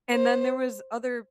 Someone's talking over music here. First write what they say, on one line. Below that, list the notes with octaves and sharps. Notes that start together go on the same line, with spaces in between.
and then there was other
C5